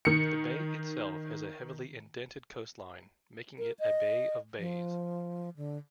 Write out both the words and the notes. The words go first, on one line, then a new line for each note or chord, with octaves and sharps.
The bay itself has a heavily indented coastline, making it a bay of bays.
D#3 C#7
A#4
D#5
F3
D3